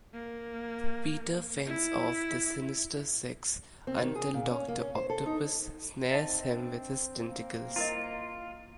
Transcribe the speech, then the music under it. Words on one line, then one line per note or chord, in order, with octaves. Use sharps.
Peter fends off the Sinister Six until Doctor Octopus snares him with his tentacles.
A#3
E4
C4
D#3
G#4
A#2
C#4
A#3
C#4
C5
A4
D#4
G#2 C4 D#5 E5 A5
D4
A#3
E4 F4 A#4 D#5